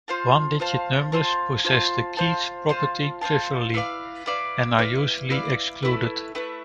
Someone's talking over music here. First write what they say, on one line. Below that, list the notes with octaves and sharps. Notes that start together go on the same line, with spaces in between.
One-digit numbers possess the Keith property trivially, and are usually excluded.
F4 C5 F5 A5
F4 C5 F5 A5
F4 C5 F5 A5
F4 C5 F5 A5
F4 C5 F5 A5
F4 C5 F5 A5
F4 C5 F5 A5
E4 B4 D5 F5
E4 B4 D5 F5
E4 B4 D5 F5
E4 B4 D5 F5
A3 E4 B4
A3 E4 B4